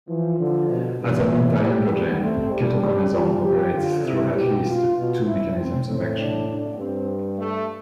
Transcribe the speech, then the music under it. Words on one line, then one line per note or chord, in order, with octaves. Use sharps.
As an antiandrogen, ketoconazole operates through at least two mechanisms of action.
E3 F3
D3
B2
G2 E3
A2
G3
G3 B3
A3 C4
G3 D4
G3 D4
G3 F4
F3 G4
D3 F4
C3 E4
B2 G4
F4
B2 F4
E4
C4
A2 C4
D4
D4
G2 C4
A3